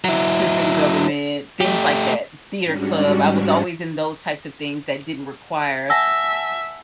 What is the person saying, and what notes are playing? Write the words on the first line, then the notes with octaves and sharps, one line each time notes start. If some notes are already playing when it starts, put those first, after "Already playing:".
m student government, things like that theater club, I was always in those types of things that didn't require
F#3 E4
A3 G4
G#2 G3 C#4 D4 F#4
E5 F#5 G#5 A5 E6 A#6